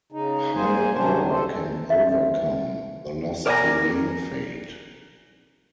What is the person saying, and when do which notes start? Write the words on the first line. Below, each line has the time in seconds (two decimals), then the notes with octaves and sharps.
Higher power can overcome the loss to rain fade.
0.12 C#3 D#4
0.54 A#3 G#4 C5 G#5
0.95 C3 D#3 F#3 C#4 D4 C5
1.31 A4 C5
1.90 E5
3.46 A#4 D5 E5 F#5 G#5 A#5